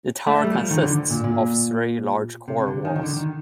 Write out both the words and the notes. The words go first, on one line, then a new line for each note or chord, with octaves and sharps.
The tower consists of three large core walls.
A3
G3
F3
D#3
D3
A#2
A#2
C3
D3
D#3
D#3
D3
D#3